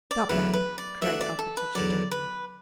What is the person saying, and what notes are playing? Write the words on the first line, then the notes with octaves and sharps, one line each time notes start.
"Stop that!" cried Alpatych sternly.
D5
E2 D3 F#3 A3 B4
B4
D5
E3 A3 D4 F#4 E5
D5
A4
B4
E2 D3 F#3 D5
B4